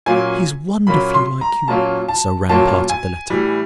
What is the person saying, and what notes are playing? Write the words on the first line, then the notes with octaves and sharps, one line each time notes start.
"She is wonderfully like you," so ran part of the letter.
A#2 F#3 A#3 C#4 F4 G#5
A#2 F#3 A#3 C#4 F4 B5
C6
A#5
A#2 F#3 A#3 C#4 F4 A5
A5
A#2 F#3 A#3 C#4 F4 A5
G#5
A2 E3 G3